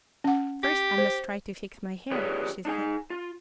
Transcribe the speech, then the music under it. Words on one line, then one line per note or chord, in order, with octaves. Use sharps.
"First I must try to fix my hair," she said.
C#4 F#5
G4
C5
F4 G4 G#4 B4 C#5 D5
D4 D#4 G#4 G#5
F4